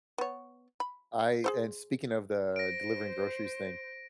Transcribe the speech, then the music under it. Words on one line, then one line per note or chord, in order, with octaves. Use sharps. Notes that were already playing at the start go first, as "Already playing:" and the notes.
I and speaking of the delivering groceries thing,
B3 C#5
B5
G#4 A4 C5
C5 A#6 D7